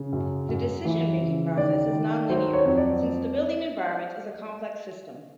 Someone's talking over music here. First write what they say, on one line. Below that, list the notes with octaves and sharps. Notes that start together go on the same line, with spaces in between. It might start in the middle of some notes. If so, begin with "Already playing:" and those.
The decision-making process is non-linear, since the building environment is a complex system.
Already playing: C#3
F#2
F#2
E3
C#3
D#3 D5
D#3
F#3 C5
C#5
F2
D5